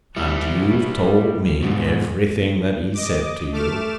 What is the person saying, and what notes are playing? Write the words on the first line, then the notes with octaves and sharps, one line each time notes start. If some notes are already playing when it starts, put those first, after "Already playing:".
"And you've told me everything that he said to you?"
G3 E4
G#2 B2
D#5 D6
A3 D6 F6 E7